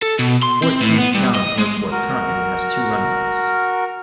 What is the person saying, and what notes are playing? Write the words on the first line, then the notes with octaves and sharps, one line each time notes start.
Fort Saint John Airport currently has two runways.
A4
B2
C6
C4
A2
B3
G2
D#5
G#3
F#4 A#4